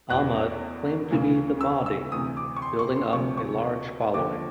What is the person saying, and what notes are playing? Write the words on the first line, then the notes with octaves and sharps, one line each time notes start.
Ahmad claimed to be the Mahdi, building up a large following.
E2 B2 F#6
D2 C#3 E3
E6
E6
D2 C3 E3 D#6
D6
C#6
C6
C#6
C6
D2 C3 F3 C#6
C#6
D#2 D3 F3 D6